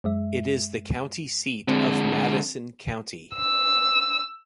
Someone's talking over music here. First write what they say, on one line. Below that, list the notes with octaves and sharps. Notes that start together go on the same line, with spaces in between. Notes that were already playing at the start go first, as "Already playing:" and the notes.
It is the county seat of Madison County.
F#2 G#3 E5
D3 G#3 C4
E6